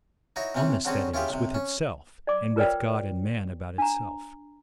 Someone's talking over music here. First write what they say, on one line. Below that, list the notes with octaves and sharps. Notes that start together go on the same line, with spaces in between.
Honest, that is, with itself, and with God and man about itself.
D#4 E4 F#4 C#5
C3 E3 C4 C#4
D3 F#3 C4 C#4 F#4 G#4
C#4 E4 F4 G4 G#4
B1 C3
C#4
D5 D6
F4 A#4 B4 C#5 D5 G5
D4 A#5